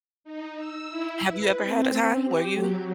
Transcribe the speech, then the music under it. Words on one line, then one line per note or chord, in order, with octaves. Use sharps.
Have you ever had a time where you
D#4
E6
E4
B4
C4
G4
F#3